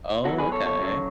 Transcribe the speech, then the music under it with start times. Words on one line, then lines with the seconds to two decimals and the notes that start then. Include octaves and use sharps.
Oh, okay.
0.24 B2 F#3 F#4 A4
0.38 G#4 B4
0.52 A4 C#5
0.66 A4 C#5
0.80 C#3 F#3